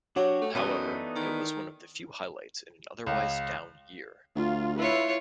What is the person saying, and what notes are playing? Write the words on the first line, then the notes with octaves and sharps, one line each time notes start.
However, it was one of few highlights in an otherwise down year.
F#3 D4 F#4 G4 C#5
A3
F#2 E3 A3 B3 D4 D#4 D#5
D#3
C#2
D2 F4
E4 F4 B4 C#5 E5